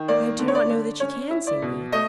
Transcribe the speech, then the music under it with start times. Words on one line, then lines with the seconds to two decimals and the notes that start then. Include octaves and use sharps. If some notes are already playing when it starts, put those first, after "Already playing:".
"I do not know that you can see me."
Already playing: D#3
0.08 A#3 D5
0.39 D3
0.48 C#5
0.55 D5
0.70 D3
1.00 C#4 C#5
1.31 E4
1.47 D5
1.62 B2
1.92 A3 D#5